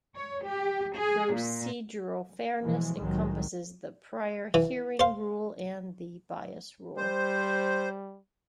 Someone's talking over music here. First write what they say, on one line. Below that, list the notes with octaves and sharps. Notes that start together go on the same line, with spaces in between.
Procedural fairness encompasses the prior hearing rule and the bias rule.
C#5
G4
G#4
A#2
B2 E3 F3 G#3
C2 A2 D#3 F#3 G#3
E3
C5 F5
G3 C5